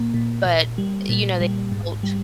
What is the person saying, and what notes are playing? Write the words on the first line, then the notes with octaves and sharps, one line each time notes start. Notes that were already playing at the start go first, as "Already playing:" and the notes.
but, you know, they mulch?
Already playing: A#2 A#3
A#2
A#2
G3
A#2
G3
G#2
G3